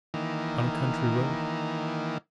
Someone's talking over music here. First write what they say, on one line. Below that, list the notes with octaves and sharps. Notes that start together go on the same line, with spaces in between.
On a country road?
D#3 E3 A#3